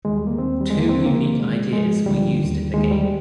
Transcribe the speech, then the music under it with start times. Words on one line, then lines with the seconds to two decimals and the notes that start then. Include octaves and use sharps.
Two unique ideas were used in the game.
0.05 D#2 D#3 G#3
0.16 G3
0.27 A#3
0.38 D#2 D#3 C4
0.61 G3
0.70 D#2 D3 F3 G#3
0.80 A#3
0.89 C4
1.06 F2 D3 F3 A#3
1.40 C2 C3 D#3 G#3
1.73 G2 F3 G#3
2.06 D2 D3 F3 G3
2.40 D#2 D#3
2.73 D#2 D#3 G#3
2.91 G3